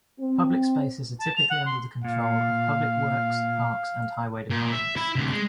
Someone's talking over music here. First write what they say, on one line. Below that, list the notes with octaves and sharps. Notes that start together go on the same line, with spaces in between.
Public spaces are typically under the control of public works, parks, and highway departments.
C4
A5
F7
F#5
C6
A#2 F5
A#2
E5
E4
D2 C3
G#3